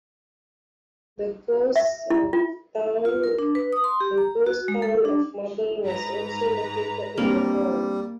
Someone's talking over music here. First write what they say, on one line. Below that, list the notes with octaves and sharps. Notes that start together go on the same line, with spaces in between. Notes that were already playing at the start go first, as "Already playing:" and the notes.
The ghost town of Marble was also located in the town.
E5
E4
F4
F4
A#4
D4
B4
D#6
C6
G4
A#5
F#4
G#3
A4
D4
G#2 B4 A#5
G3 A#3 C4 D4